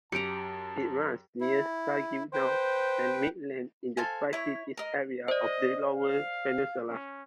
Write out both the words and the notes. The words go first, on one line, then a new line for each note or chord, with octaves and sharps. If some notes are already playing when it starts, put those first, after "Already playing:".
It runs near Saginaw and Midland in the Tri-Cities area of the Lower Peninsula.
F#2 G4 A5 A#5 C#7 D7
E4
B4 C5 G5
A4 C5 F5 G#5
E4 C#5
A#4 D#5
C5 D5 D#5
F5
C#4